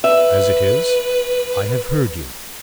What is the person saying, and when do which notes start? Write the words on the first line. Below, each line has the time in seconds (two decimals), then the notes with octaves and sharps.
As it is, I have heard you.
0.04 B4 E5